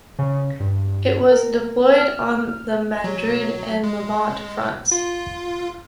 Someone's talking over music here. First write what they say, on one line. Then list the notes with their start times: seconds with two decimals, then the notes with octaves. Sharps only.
It was deployed on the Madrid and Levante fronts.
0.19 C#3
0.60 G2
1.31 A#4
1.98 F6
3.04 F#3
3.84 G#3
4.92 F4